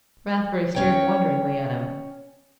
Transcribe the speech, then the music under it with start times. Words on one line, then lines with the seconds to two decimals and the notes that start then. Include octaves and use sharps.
Rathbury stared wonderingly at him.
0.75 C#4 C#5 G5